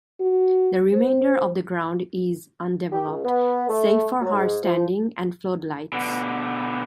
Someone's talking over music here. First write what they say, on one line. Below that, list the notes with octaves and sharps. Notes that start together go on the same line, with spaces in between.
The remainder of the ground is undeveloped, save for hard standing and floodlights.
F#4
C5
G4
C#2
B3
A3
F#3
G#2
F3
B2 D3